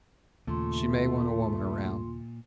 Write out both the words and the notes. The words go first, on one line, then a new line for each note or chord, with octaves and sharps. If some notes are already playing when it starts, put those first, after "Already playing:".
She may want a woman around.
D#2 A#2 C#3 A3 A#3 F4 C6